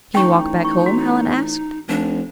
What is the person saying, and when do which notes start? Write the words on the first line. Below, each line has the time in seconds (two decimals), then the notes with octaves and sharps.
"Can you walk back home?" Alan asked.
0.15 A1 D#4 G5 C#6
0.65 C#6
0.86 F#4
1.88 F1 D4